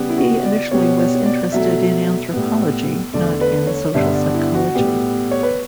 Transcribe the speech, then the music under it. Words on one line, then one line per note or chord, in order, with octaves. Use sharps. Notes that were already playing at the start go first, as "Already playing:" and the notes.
He initially was interested in anthropology, not in social psychology.
Already playing: C#3 G3 B3
E4
F#4
D5
B2 G3 B3 C#5
C#5
D5
B2 F#3 A3 E5
A2 G3 B3
E2 D3 A3 D5
B4
C#5
G2 D3 G3 B3 E5
D5
E4
F#4
A2 G3 B3 G4
C#5
B4